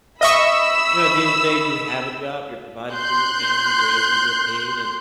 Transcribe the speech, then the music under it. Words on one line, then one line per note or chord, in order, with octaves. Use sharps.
you know, at the end of the day, you have a job, you're providing for your family, you're able to get paid and
D#5 E5 B5 C#6 E6
C6 F#6 G6